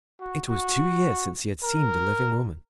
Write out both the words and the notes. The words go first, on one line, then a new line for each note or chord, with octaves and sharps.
It was two years since he had seen the living woman.
F#4
F#4
A#4